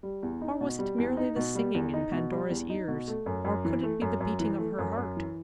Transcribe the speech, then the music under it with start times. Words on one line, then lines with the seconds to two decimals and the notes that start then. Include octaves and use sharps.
Or was it merely the singing in Pandora's ears? Or could it be the beating of her heart?
0.03 G3
0.23 E2
0.41 D#4
0.61 B2
0.79 G3
0.98 E2
1.17 D#4
1.36 B2
1.55 G3
1.74 E2
1.94 D#4
2.12 B2
2.31 G3
2.50 E2
2.70 D#4
2.88 B2
3.08 A3
3.26 F#2
3.45 F#2
3.65 E3
3.83 A3
4.01 F#2
4.20 F#2
4.40 E3
4.58 A3
4.78 F#2
4.97 F#2
5.17 E3